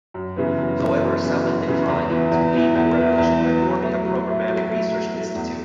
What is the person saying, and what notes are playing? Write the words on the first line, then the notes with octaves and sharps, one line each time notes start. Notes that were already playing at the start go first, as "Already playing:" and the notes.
However, Southern declined to lead the revolution by forming a programmatic research institute.
F#2
C#3 E3 B3
F#2
C#3 E3 B3
F#2
C#3 E3 B3
F#2
C#3 E3 B3
E2
E3 B3
E2
E3 B3
E2
E3 B3
E2
E3 B3
F#3
A3 E4
F#3
A3 E4
F#3
A3 E4
F#3
A3 E4
E2